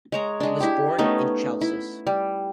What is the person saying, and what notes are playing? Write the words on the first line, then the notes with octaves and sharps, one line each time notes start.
He was born in Chalcis.
G#3 C#5 A#5
G#3 D4
E4 G4
A3 B3 C#4 D#4
E4
G3